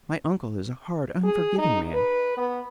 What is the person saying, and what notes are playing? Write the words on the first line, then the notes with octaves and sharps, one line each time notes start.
My uncle is a hard, unforgiving man.
G#4
D#4
B4
B3